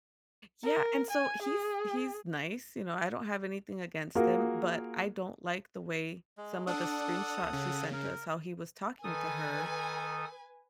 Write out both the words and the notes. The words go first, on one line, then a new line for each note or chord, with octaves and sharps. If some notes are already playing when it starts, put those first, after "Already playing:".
Yeah, and so he's he's nice, you know, I don't have anything against him, but I don't like the way some of the screenshots she sent us, how he was talking to her.
A#4
G#5
G#4
A#3 F4 F#4 G#4 A#4
G#3
D4 A4 F#5 D#6
C#3
A#4
D#3 A4 B4 G#5 D#6